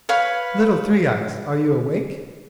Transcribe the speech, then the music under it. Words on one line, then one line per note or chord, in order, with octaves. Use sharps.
'Little Three eyes, are you awake?'
B4 C#5 F5 B5